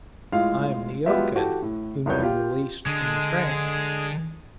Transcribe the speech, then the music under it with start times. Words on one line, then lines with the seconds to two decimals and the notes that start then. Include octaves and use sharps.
I am Neeoka, whom you released from the trap.
0.32 A2 G#3 F4 F5
1.06 F#3 G#3 B3 F4 G4 E5
1.35 E3 F#4 G4 A4
1.62 A2
2.06 E1 C2 F3 B3 C#5 G6
2.22 F4 G4
2.86 D3 G#3